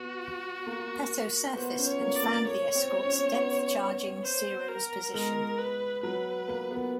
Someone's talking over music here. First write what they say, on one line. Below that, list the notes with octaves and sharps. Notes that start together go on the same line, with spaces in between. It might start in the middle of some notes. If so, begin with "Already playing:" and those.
"Peto" surfaced and found the escorts depth charging "Cero"s position.
Already playing: B3 F#4
A#3
B3 C5
C#4
C#5
A#3
D5
A#3
A3 C#5
C4
C#4
B3
C5
A#4
G#3 A#4
B4
F#3 B4
A#3
B3